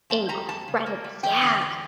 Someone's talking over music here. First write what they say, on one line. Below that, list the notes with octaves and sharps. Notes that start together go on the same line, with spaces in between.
incredib Yeah,
F2 A5
G3 A#5
F2 A5
C#3
A#3
G3
E2 G5
D3
E2